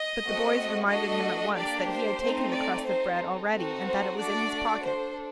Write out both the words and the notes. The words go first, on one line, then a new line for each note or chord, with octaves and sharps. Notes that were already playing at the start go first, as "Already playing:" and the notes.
But the boys reminded him at once that he had taken the crust of bread already and that it was in his pocket.
Already playing: D#5
A3 C4 F#4 A4
A3 D4 F#4 A4 D#5
A#3 D4 G4 D5
C5
A3 C4 D#4
D5
C4 D#4 A4 C5
C4 D#4 F#4 A4
C5
A3 D4 F#4 A4 D5
D4 A4 C5